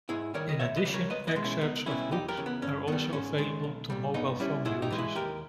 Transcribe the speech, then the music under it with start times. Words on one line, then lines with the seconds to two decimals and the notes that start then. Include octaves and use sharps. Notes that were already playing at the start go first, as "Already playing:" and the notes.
In addition, excerpts of books are also available to mobile phone users.
0.09 G#2 E4 G#4
0.34 D#3 G3 A#4 C#5
0.49 D#5
0.59 D#2 C#5 E5
0.76 B4 D#5
0.85 C#3 G3
0.94 A#4 C#5
1.10 C#2 B4 D#5
1.27 B4 D#5
1.35 B2 G#3
1.44 C#4 E4
1.61 C#2 B3 D#4
1.86 B2 G3 C#4 E4
2.11 E2 D#4 G4
2.28 G4 A#4
2.37 C#3 E3
2.46 B3
2.62 G2 C#4
2.87 D#3 G3 B3
3.13 G#2 C#4
3.38 D#3 G#3
3.64 B1
3.90 A#2 G3
4.14 G2 B3 D#4
4.40 G3 C#4 E4
4.65 G#2 E4 G#4
4.82 D#4 G4
4.90 E3 G#3
4.98 E4 G#4
5.15 D#2 G4 A#4